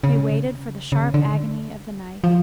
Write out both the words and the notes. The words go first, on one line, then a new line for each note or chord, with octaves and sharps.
They waited for the sharp agony of the knife.
C#3
C#3
D3
F3